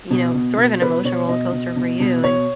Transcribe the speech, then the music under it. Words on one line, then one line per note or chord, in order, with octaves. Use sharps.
you know, sort of an emotional roller coaster for you, and
B2
B2
B2
B2 B4
B2 C#5
B2 D#5
B2
B2
B2
B2 C#5